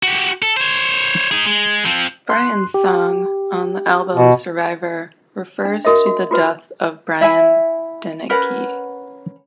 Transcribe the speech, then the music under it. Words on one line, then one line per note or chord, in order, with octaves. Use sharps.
"Brian's Song" on the album "Survivor" refers to the death of Brian Deneke.
F#4 G4
A4
C5 C#5
D#4 G#4
G#3
F3 C4
C6 F#6
G4
B2
D4
F#4 A#4 D#5 E5
F#4
F4 F#4 B4
E4 E5 G#5
C#4 A#4 B4 F#5